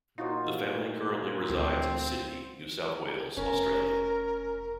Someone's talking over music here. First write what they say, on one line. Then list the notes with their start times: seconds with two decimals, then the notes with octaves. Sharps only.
The family currently resides in Sydney, New South Wales, Australia.
0.18 A#2 D#4 F4 F#4 C5
1.50 D2 C4
3.37 F1 C#4 A#4